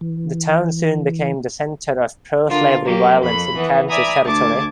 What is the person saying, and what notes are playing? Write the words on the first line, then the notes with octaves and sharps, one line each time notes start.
The town soon became the center of pro-slavery violence in Kansas Territory.
E3
D3 F4 A#4
F#3 A#3 G4
F2 B5
E3 B3
D5 E5 G#5 A#5 B5 D#6
D2 A5 D6 G#6